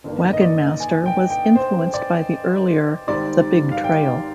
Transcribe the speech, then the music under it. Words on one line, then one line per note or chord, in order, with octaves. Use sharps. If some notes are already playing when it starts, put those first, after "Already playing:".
"Wagon Master" was influenced by the earlier "The Big Trail".
G1 G2 D#3 A#3 D4
D#5
D5
G#5
G5
G5
C5
D5
G#1 G#2 D#3 G3 C4 D5
F5
G5